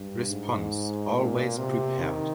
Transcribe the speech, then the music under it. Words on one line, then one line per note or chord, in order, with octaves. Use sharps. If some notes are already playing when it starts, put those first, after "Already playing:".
Response - Always prepared!
Already playing: G2
G#2
A#2
C3
D#3